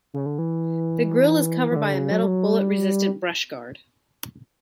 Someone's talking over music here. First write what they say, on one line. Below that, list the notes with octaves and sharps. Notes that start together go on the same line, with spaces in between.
The grille is covered by a metal bullet-resistant brushguard.
C#3
D3
E3
E3
D3
C#3
F#3
G3
F#3
G3